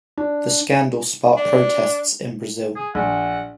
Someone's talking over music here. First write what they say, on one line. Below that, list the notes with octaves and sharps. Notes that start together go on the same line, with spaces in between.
The scandal sparked protests in Brazil.
D4
D4
G#4
A#1 F#5